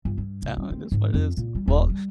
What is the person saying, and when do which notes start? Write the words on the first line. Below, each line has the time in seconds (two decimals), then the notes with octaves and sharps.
That one this one is well,
0.05 G1
0.18 G2
0.42 C2
0.57 G3
0.71 C4
0.92 G#2
1.14 F2
1.37 A#2
1.55 G3
1.68 D#1
1.90 G3